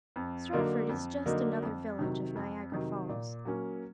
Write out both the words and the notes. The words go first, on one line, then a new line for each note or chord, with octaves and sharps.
Stratford is just another village of Niagara Falls.
F2
D3 F#3 A#3 D#4
F2
D3 F#3 A#3 D#4
F2
C3 D#3 F#3
F2
C3 D#3 F#3
A#2
F#3 A#3 C#4